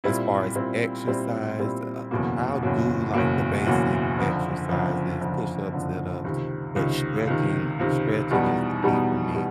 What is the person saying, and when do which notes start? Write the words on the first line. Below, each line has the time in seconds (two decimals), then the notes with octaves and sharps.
as far as exercise, uh, I'll do, like, the basic exercises- push-ups, sit-ups, but stretching stretching is the key for me
0.04 A#2 G3 C4 E4
0.55 A#2 G3 C4 E4
1.07 A#2 G3 C4 E4
1.59 A#2 G3 C4 E4
2.11 F#1 E2 B2 F#3 A#3
2.62 F#1 E2 B2 F#3 A#3
3.14 F#1 E2 B2 F#3 A#3
3.66 F#1 E2 B2 F#3 A#3
4.18 F#1 F2 D3 F3
4.69 F#1 F2 D3 F3
5.21 F#1 F2 D3 F3
5.72 F#1 F2 D3 F3
6.24 C#2 C3 D#3
6.76 C#2 C3 D#3
7.27 C#2 C3 D#3
7.79 C#2 C3 D#3
8.31 E2 B2 G3 B3 D#4
8.82 E2 B2 G3 B3 D#4
9.35 B2 G3 B3